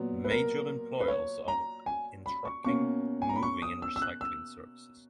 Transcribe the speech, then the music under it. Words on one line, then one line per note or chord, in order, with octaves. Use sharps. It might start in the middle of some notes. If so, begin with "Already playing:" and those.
Major employers are in trucking, moving and recycling services.
Already playing: A#2 F#3 B3
B4
A#4
B4
C#5
A#5
G#5
B5
C#6
B2 A#3 C#4 C#6
G#5
A#5
B5
C#6
D#6
E6
E6
F#6
E6